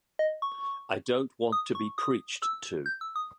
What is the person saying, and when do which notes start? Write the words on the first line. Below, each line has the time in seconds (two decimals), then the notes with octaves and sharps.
I don't want to be preached to.
0.19 D#5
0.42 C#6
1.52 D#6
1.75 C#6
1.98 D#6
2.42 E6
2.86 G6
3.01 E6
3.16 D#6